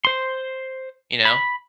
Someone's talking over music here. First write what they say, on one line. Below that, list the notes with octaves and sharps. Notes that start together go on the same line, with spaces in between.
you know?
C5 C6
B5